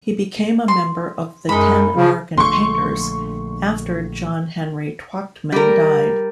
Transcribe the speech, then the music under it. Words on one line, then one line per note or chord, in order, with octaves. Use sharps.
He became a member of the Ten American Painters after John Henry Twachtman died.
C6
F#2 G#3 D#4 B5
C#3 F3
A#1 D3 A3 C6 C#6
G3 A#4